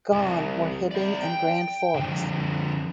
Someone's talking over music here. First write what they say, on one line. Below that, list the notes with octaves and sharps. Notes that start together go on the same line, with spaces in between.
Gone were Hibbing and Grand Forks.
C2
E4 D5
G5
D3 F3